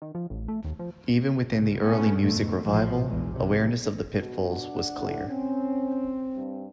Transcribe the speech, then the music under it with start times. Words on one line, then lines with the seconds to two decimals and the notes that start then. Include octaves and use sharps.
Even within the early music revival, awareness of the pitfalls was clear.
0.02 D#3
0.15 F3
0.30 A1
0.48 A3
0.64 D#2
0.79 F3
1.51 C2 A#2 C#3
1.81 B2 A3 B3 C#4
2.22 F2 G#2 B2 D3 A3
2.64 A1 A#2 F3
3.05 B1 E2 G#3
3.36 C3 E3
4.13 B2
4.48 D4 F#5
4.97 A2
5.28 C4 C#4
6.35 G2